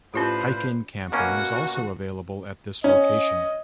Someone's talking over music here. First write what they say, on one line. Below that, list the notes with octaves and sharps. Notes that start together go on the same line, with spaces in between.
Hike-in camping is also available at this location.
A2 F3 C#4 D4 F4 G4 B4 C5
B2 A#3 C#4 F#4
C#4 D#5